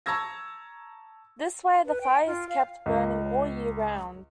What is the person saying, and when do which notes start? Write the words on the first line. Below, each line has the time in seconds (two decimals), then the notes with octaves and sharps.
This way the fire is kept burning all year round.
0.06 A5 A#5 C#6 E6 G#6 A#6
1.85 B4
2.01 G5
2.27 F4
2.49 F5
2.86 C#2